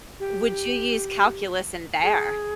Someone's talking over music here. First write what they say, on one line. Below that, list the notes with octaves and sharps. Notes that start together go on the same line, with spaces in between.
would you use calculus in there?
G4
G#4